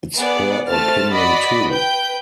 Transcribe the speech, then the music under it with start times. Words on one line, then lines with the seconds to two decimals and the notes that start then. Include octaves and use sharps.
It's her opinion too.
0.17 B3 G#4 D5 F#5
0.69 A3 C4 A5 F6 A6
1.12 F#4 D5 D#5 B5
1.72 B4 G5 G6